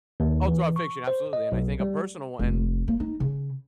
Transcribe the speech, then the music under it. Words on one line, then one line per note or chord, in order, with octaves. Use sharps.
All throughout fiction, absolutely. And I think a personal one
D#2
E3
C#6
C5
D#5
B1
G3
F1
A#3
D#4
C#3